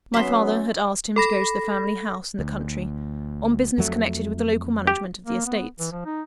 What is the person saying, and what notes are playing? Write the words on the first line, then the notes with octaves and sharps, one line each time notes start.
My father had asked him to go to the family house, in the country, on business connected with the local management of the estates.
F#3 B3 C#4 E5 C6
A4 B5 A#6
D2
F2 F#3 A3
G4
A#3
B3
E3
F3
D#4